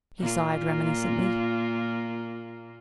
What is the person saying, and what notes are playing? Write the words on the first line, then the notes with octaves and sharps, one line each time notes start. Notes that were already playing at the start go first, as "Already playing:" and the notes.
He sighed reminiscently.
A#2 A#3 F4